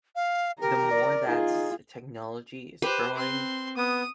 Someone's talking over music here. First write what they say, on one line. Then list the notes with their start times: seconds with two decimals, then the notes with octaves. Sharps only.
the more thats technology is growing,
0.15 F5
0.61 G4 A#4 A#5
0.91 D5
1.27 D#4 F4 G#4
2.82 G4 B4 C5
3.15 C4 C6
3.77 B3 D#6